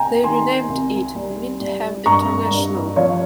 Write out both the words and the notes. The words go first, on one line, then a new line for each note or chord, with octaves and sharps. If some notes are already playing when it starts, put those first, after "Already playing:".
They renamed it Wyndham International.
Already playing: C2 G5 G#5 A#5
D#3 G#5 C6
C2
G3
G3
G2 A#5 C#6
G2
F3 C#5 F5